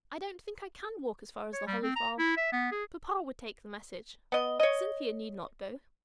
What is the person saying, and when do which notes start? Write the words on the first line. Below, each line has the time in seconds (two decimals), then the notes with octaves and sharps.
"I don't think I can walk as far as the Holly Farm; papa would take the message; Cynthia need not go."
1.53 C#5
1.67 G3
1.83 C4
1.96 A#5
2.19 E4
2.37 E5
2.52 B3
2.71 G#4
4.32 B3 D#5
4.60 C#5 D#5